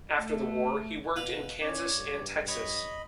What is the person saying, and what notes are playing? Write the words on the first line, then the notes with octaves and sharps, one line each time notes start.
After the war, he worked in Kansas and Texas.
A3
B2 B4 F5 B5
C#4 C#5 D5
G2
C#5 D#5 B5